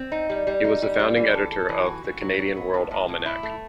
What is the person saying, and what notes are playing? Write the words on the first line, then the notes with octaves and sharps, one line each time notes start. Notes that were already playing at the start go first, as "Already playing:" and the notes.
He was the founding editor of the "Canadian World Almanac".
Already playing: C4
D#4
G3
G3
D#4
G3
G3
E3
A4
A4
E3
F#4
E3
F#3
F#3
B3
A2
A2
A2
E4
A3